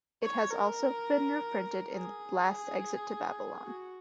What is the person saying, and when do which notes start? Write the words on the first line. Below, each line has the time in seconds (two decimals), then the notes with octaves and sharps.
It has also been reprinted in "Last Exit to Babylon".
0.23 C#5
0.51 A#4
1.94 G#4
3.64 F#4